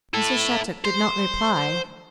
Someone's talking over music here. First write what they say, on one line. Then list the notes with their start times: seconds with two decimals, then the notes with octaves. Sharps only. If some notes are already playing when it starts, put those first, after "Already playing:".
Mrs. Shattuck did not reply.
0.14 E4 A4
0.85 C5